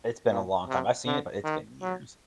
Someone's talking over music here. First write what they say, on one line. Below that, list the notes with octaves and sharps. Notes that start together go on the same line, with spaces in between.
It's been a long time. I've seen it, but it's been years.
A#2
C3
D3
D#3
F#3